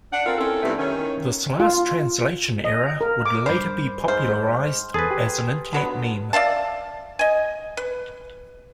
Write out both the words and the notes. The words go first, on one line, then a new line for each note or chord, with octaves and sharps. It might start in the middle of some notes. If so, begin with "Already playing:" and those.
This last translation error would later be popularized as an internet meme.
D4 F#5
C4 F4 A4 A#4
C4 C#4 E4 A4
G2 C3 G3 A3 B3 E4
D#3 C#4
F4
D#5
A#4
D6
G2 C5 B5
G#2 C5 C6 F6
E2 G#4 A4 B4 D#6 A6
G4
D3 F#3 B3
D5 E5 F5 A5
D#5 G#5
B4